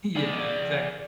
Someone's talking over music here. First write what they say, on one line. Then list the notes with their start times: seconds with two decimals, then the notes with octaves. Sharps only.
Yeah, exactly.
0.16 G#4 D5